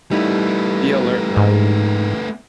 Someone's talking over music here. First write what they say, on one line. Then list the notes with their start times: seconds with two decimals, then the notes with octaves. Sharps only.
Be alert, men!
0.11 G3 A3 B3 D#4 E4
1.37 G#2